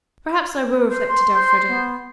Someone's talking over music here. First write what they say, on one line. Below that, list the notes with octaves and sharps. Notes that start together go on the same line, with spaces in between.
"Perhaps I will," reflected Elfreda.
B4 C5
C6
C5
B3